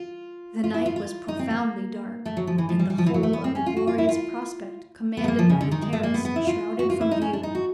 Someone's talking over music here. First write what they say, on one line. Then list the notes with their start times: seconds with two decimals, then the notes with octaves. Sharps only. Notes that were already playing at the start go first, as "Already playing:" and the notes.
The night was profoundly dark, and the whole of the glorious prospect commanded by the terrace shrouded from view.
Already playing: F4
0.64 F4
0.74 E4
0.86 F4
0.96 F4
1.28 D#4
1.39 C4
1.50 A#3
2.26 A3
2.37 F#3
2.47 F3
2.58 E3
2.69 F3
2.79 G3
2.90 G3
2.98 F3
3.06 E3
3.14 F#3
3.23 A3
3.33 B3
3.44 C4
3.55 C#4
3.66 F4
3.77 F#4
3.87 F4
3.98 E4
4.09 F4
5.17 B3
5.24 A3
5.28 A#3
5.39 F3
5.50 C#3
5.61 D3
5.71 D#3
5.82 G#3
5.93 A3
6.03 A#3
6.14 B3
6.25 B3
6.36 E4
6.47 F4
6.79 F#4
6.90 F4
7.01 E4
7.11 D#4
7.22 C#4
7.33 D4
7.43 D#4
7.55 F#4